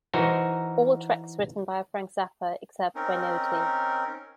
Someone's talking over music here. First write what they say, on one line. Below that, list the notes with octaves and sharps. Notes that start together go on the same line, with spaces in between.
All tracks written by Frank Zappa, except where noted.
E3 D#4 F#4 A#4 C5 G#5
C4 C#4 D#4 A#4